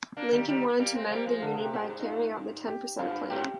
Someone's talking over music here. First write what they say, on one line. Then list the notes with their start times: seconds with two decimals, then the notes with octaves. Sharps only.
Lincoln wanted to mend the Union by carrying out the Ten percent plan.
0.17 A#3 D4
0.32 D#3 G3
0.48 D#3 G3
0.79 G3 A#3
0.95 G#3 C4
1.11 G3 A#3
1.26 F3 G#3
1.42 D3 A#4
1.54 C3 G#4
1.65 G4
1.73 A#2 G#4
1.89 G#2
1.99 D#4
2.05 F4
2.67 G4
2.99 G2 F4
3.30 G#2 G4